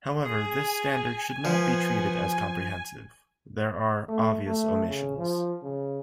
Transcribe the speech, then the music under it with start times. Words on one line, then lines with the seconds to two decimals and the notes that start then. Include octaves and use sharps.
However this standard should not be treated as comprehensive, there are obvious omissions.
0.25 G#4 G#5
1.45 F3 B3
4.08 A3
4.46 A3
4.87 C#3
5.17 F3
5.62 C#3